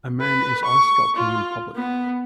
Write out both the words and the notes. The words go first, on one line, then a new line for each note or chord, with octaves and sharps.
A man is ice sculpting in public.
B4
C#6
F4
B3